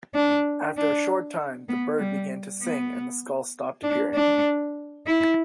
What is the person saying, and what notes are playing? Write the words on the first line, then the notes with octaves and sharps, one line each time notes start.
After a short time, the bird began to sing and the skull stopped appearing.
D4
D4
B3
G3
B3
D4
D4
E4